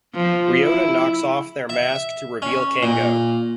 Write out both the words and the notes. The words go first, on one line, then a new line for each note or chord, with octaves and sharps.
Ryota knocks off their mask to reveal Kengo.
F3
E4
E5
C#4
A#2